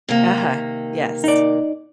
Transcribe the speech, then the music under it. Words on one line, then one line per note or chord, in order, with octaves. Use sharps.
Uh-huh, yes.
C3 D#3 A#3
D#4 D5